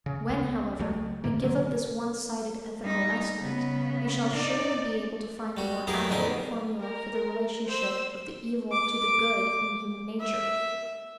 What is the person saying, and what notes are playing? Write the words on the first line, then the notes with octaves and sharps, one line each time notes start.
When, however, we give up this one-sided ethical estimate, we shall surely be able to find a more accurate formula for the relationship of the evil to the good in human nature.
C#3
C#2 B3
C#2 F#3 A3
G#2 D3 A3 A#3
B2 D3 F#3 A#3
G3 D#4
C#3 B3
D#4 D5
G3 F#4
F#3 B3 E4 G4 G#4 A#4
F2 A2 D3 C#4 D#4 A#4
A#4
C5 E6
D6
E5